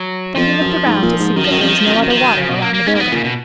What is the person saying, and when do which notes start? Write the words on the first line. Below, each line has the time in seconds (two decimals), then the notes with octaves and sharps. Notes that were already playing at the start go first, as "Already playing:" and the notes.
Then he looked around to see that there was no other water around the building.
Already playing: F#3
0.36 F2 F3
0.61 F#2
0.86 G#2
1.02 A#2
1.19 G#2
1.36 F#2 D#3
1.44 F3
1.51 F#2 D#3
1.61 F2 F3
1.68 D#3
1.77 F3
1.85 F#2 D#3
1.93 F2 F3
2.00 F#2 D#3
2.10 F3
2.17 D#3
2.37 C#3
2.49 B2
2.62 A#3
2.74 A#3
2.87 G#2 C#4
2.95 A#3
3.00 B3
3.12 A#2 C#3
3.24 B2